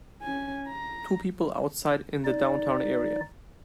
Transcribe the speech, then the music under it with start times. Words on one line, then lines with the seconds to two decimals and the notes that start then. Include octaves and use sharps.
Two people outside in the downtown area.
0.22 C#4 G#5
0.68 A#5
2.25 D#4 D5